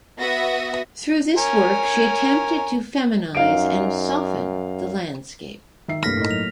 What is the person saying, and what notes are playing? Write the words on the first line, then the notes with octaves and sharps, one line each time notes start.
Through this work she attempted to "feminize" and "soften" the landscape.
B3 F#4 E5 D#6 A#6
A#4 C#5 G#5
F#2 D#4 F5 D7
D#3 E5 C7
C2 G2 A3 A#3 F6 A#6 B6
A2 D#4
F#3 F7